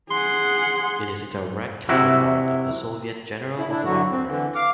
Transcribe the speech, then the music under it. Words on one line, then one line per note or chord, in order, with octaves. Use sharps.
It is a direct counterpart of the Soviet "General of the army" rank.
G#4 F#5 C6
C3 E4 F#4
E4
D4 E4
D3 F#3 F#4
C4
D3 E3
F5 D6